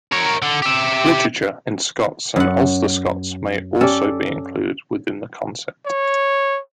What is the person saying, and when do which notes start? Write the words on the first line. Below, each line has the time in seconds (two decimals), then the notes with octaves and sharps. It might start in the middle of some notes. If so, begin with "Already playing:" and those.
Literature in Scots and Ulster Scots may also be included within the concept.
0.12 A#4 C#5
0.42 D3
0.62 G4 E5
2.36 F#2 F#5
3.81 C#4 G4 A4 D5
5.86 C#5